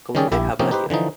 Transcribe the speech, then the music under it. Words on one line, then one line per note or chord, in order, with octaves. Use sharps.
Going good, how 'bout you?
D#3 G3 C#4 G4 G#4 D5
A#1 E4 G4
C3 F3 A#3 C#4 D#4 G4
D#4 G4 B4 C5
D3 E3 F3 D#4